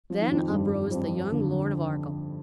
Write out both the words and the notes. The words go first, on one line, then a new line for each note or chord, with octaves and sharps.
Then uprose the young Lord of Arkell.
F3
D#3
F2 F3
G2 G3
F2 F3
D3